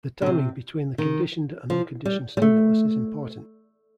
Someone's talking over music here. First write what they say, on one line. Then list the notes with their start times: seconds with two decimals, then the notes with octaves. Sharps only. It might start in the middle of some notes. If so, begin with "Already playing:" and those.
The timing between the conditioned and unconditioned stimulus is important.
0.22 D3
0.26 C3
0.98 D#3
1.70 F3
2.05 G3
2.37 G3
2.42 A3